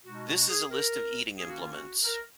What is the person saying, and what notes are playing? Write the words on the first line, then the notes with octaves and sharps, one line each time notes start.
This is a list of eating implements.
B2 G#3 D#4 F#4
F#4
G#4
A#4
D#3 A#3 C#4 G#4
F#4
F4
F#4
A#4